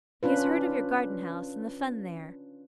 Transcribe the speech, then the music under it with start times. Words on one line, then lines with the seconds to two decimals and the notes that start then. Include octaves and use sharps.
He has heard of your garden-house and the fun there.'
0.23 C#4 D4 F4 B4